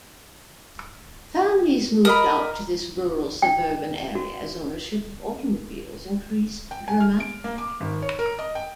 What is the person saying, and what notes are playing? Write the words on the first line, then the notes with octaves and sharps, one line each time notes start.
Families moved out to this rural suburban area as ownership of automobiles increased dramatically.
A#4 D#5 B5
G5
F#4
G5
G#5
F6
D7
A#3
D6
G#1
C#5
A#4
D#5
G5